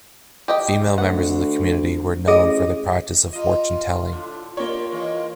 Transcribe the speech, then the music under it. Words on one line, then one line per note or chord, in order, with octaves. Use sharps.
Female members of the community were known for their practice of fortune-telling.
G4 D#5 G5
D2 F#5
A1 G#4 D#5
A#3 F4 D#5
A2 D3
A#3 F4 G4 C#5 D5
E3 G#3